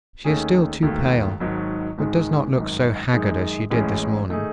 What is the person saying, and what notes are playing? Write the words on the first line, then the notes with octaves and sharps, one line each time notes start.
She is still too pale, but does not look so haggard as she did this morning.
D#2 D#3 A3 C#4 G#4
E1 D#2 D#3 A3
G#1 G#2 D#3 F#3
G#1 G#2 D#3 G#3
G#1 F#2 D#3
F#2 D#3 G#3 D#4
A1 A2 E3 G#3 C#4
D#3 A3 D#4 G#4